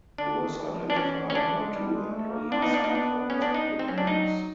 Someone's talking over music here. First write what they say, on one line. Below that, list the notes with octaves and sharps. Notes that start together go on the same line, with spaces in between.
He was identified by two employees who called the police.
D3 D4
D#3
E3
F3
E3 D4
C#4
D#3 C#4
E3 D4
G#3
G3
G#3
A3
A#3
C4 D4
A#3
B3 D#4
A#3 D4
D#4
B3 D4
C#4
D4
D#4
C4
F#3 C#4
D4
D#4